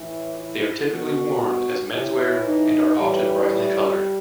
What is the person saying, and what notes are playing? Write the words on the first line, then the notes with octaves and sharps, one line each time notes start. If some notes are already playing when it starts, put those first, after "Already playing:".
They are typically worn as menswear and are often brightly colored.
Already playing: A2 E3 E4
E4
B2 F#4
A2 E3 E4
D#4
A2 E3 G3